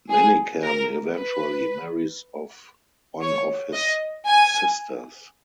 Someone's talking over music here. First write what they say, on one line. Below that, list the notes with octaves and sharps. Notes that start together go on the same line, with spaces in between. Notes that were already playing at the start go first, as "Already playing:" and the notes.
Manikkam eventually marries off one of his sisters.
G#4
A#4
B4
C#5
D#5
G#5